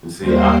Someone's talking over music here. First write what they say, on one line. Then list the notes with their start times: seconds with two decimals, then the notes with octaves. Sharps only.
and see I
0.19 D#2 D#3 G3 A#3 C5 C6